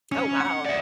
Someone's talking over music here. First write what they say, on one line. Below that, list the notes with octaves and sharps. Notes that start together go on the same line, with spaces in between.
Oh, wow.
C#4
F#5
D5 E5